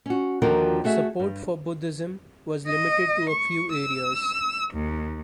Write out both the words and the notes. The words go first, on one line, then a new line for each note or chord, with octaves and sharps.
Support for Buddhism was limited to a few areas.
C#4 F#4
D#2 D3 D#3 F3 F#4 A#4
A3 F#4 G#4 E5
G2
D#5
C#6
E6
D#2